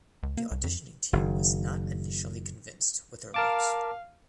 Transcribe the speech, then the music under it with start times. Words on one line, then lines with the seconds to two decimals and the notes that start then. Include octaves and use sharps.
The auditioning team was not initially convinced with her looks.
0.23 C#2
0.37 A#3
0.51 C2
0.64 F2
1.13 F#1 D#3
3.34 A#4 F5 A5 D6